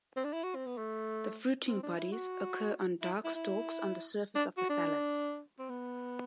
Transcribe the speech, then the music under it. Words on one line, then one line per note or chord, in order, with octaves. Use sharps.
The fruiting bodies occur on dark stalks on the surface of the thallus.
C4
D4
E4
F#4
C4
B3
A3
C4
D4
E4
F#4
E4
E4
E4
D4
F#4
D4
C4
B3